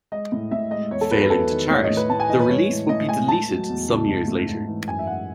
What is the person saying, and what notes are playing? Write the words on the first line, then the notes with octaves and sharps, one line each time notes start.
Failing to chart, the release would be deleted some years later.
G#3 D#5
A2
A2 E5
G#3 D#5
E2 C#5
A4
F#3 B4
B4
E2 A4
D#3
A2 C#5
D#5
A3
B4
A2 A5
G#5
E3 D#5
B4
G#3 C#5
A2
A2 D#5
G#3 G#5
A3 A5
F#3
E2
C#3
G#2
A3
G#2
E3
F#2 G#5
E5
G#3 F#5